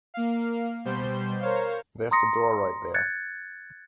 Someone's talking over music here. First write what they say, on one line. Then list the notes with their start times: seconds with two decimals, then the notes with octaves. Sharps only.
There's the door right there.
0.14 A#3 F5
0.85 B2 G3 C5 G6
1.40 A#4 C5 C#5 F5
2.11 A#5 C6 D#6 A#6 C#7
2.94 F#6 G#6 A6 C#7